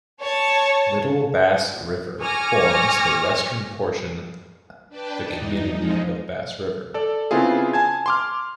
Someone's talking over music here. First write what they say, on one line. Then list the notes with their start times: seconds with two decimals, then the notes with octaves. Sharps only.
Little Bass River forms the western portion the community of Bass River.
0.21 C#5 A5
2.22 G#5 C#6 D6 F6 A#6
4.89 D4 B4 D5 G5 A5
5.21 E2 D#4
5.70 F3 G#3 D#4
6.94 A4 D5
7.31 C#3 B3 C4 E4 F4 G#4
7.73 G#5 A5 G#6
8.06 C6 D6 F6